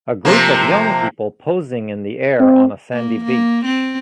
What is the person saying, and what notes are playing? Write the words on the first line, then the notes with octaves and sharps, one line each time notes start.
A group of young people posing in the air on a sandy beach.
C3 F3 A#3
C4
A#3
A#3
C4